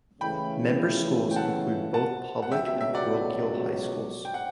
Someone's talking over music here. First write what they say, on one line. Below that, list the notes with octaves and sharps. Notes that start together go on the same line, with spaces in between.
Member schools include both public and parochial high schools.
C#3 E3 A3 E4 G5 B5
G5
F#5 A5
F#5 A5
F#5
C#2 B2 F#3 E5 G5
E5
E5
D5 F#5
G5
F#5